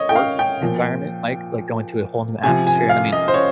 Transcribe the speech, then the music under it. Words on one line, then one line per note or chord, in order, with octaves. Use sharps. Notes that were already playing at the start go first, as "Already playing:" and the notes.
work environment, like like going to a whole new atmosphere? And I mean,
Already playing: C#5 D#5
G5
F5
G5
A#2 F3
C3 F3 G#5
G#5
F5
D#5
C5
C#5